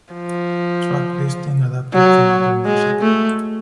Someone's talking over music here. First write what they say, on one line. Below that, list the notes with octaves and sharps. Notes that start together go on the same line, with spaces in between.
Track listing adapted from Apple Music.
F3
F#3
G#3
A3